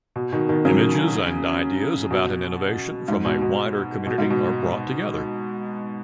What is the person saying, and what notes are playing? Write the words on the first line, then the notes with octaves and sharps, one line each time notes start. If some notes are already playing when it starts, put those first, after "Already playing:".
Images and ideas about an innovation from a wider community are brought together.
B2
B2 D#3
B2 D#3
C#3 F#3
B2
G#2
B2
B2
B2
G#2
B2